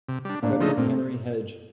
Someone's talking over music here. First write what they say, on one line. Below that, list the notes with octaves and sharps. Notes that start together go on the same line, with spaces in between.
Frederic Henry Hedge.
C3
G3 D4
A2 A#3 D4
F3 A3 D#4
A#2 A3 C4